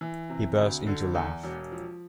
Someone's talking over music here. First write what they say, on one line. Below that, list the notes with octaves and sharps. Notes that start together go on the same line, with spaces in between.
He burst into a laugh.
E3
C3
D2
D3
E2
E1
F3